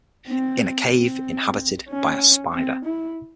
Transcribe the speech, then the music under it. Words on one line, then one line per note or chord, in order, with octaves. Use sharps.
In a cave inhabited by a spider.
C4
C4
C#4
C4
E4